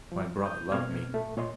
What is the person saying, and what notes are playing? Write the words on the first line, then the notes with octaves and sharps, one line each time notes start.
My brother loved me.
F3
D#6 G6
B2 A3 A#3 C4 F6 G#6
A#2 A3
A#2 C#5 D#5 C6